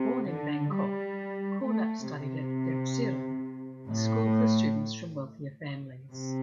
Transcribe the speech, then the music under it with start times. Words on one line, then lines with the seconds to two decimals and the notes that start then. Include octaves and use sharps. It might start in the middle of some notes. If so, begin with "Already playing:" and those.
Born in Bangkok, Kulap studied at Debsirin, a school for students from wealthier families.
Already playing: C3
0.29 D3
0.74 G3
1.63 A3
2.08 C3
3.87 A2
6.11 C3